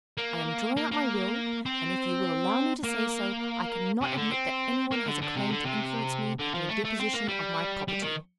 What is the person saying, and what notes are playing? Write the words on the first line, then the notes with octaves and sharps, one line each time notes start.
I am drawing up my will, and if you will allow me to say so, I cannot admit that anyone has a claim to influence me in the disposition of my Property.'
A#3
A#3
A#3
C4
A#3
C3
D3
C4
A#3
D3
D3
C3
D3
C3
D3
F3
A3
A3
C4
A#3
G3
G3
D#3